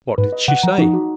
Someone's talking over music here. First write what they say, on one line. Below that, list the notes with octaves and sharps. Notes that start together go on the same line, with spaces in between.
"What did she say?"
G#2 B4
D#5
C#3 F#5
F3 A#5
F3 D#4
F#4